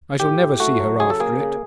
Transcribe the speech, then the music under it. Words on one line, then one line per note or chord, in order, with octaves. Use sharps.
I shall never see her after it.
A2 G4
A2
A3 F#4
F#3
C#3 G#4
A4
A#3 G#4
C#3